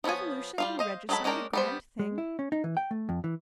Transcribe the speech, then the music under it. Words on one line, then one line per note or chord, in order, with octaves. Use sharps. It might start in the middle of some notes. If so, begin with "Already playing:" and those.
Revolution and regicide a grand thing?...
F3 B3 E4 C#5 G#5
G3 F4 F5
C5 D#5 F5
F#3 G#3 G#4 A4 B5
G#3 C#4 D4 A#4 G5
G3 B3 C5
G#3
E4
C#4
D#4
E3
G5
A3
F2
E3